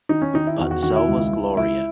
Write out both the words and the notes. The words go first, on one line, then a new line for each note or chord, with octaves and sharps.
But so was Gloria.
D#3 D#4
C#4
D#3 D#4
E4
E2 F#4
F#4
D#3 F#4
E4
C#2
C#2
C#2 E4